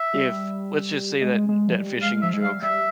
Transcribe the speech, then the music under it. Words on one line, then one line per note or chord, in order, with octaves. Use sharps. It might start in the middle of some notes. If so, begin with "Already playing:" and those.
if let's just say that that fishing joke,
Already playing: E5
G3
G#3
G#3
F3
G3
G#3 F5
F3 E5
G#3
G3 F5
G3 E5